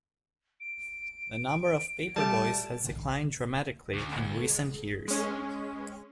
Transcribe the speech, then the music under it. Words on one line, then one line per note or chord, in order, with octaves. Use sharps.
The number of paperboys has declined dramatically in recent years.
D7
G3 A3 A5
D2
G#3 C#4